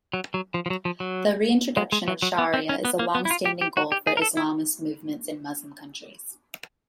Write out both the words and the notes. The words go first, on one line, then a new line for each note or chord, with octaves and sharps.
The reintroduction of sharia is a longstanding goal for Islamist movements in Muslim countries.
F#3
F#3
F3
F3
F#3
F3
F#3
G#3
G#3
F#3
F#3
B3
C4
C#4
B3
A#3
B3
E4
F4
G4
G4
F#4
G4
G#4
A#4
A4
E4